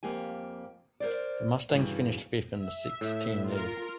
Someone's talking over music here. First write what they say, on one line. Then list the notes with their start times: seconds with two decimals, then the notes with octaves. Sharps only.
The Mustangs finished fifth in the six team league.
0.03 F2 A#3 G4 G#5
1.00 A#4 C5 D5
1.72 G2 A#2 C#3 E3 F#3
2.58 E5
3.01 A2
3.46 F4 A#4